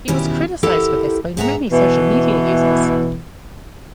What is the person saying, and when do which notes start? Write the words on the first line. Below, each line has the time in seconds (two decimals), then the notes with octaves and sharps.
He was criticised for this by many social media users.
0.08 B2 D#3 G3 C#4 E4
0.63 E4 G4 A4 A#4 C5 F#5
1.37 G#2 B3 E5 F#5 A5 A#5
1.70 B2 E3